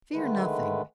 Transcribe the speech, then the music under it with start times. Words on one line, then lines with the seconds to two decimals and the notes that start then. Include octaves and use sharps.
'Fear nothing.
0.13 D3 D#3 G#3 A3 B4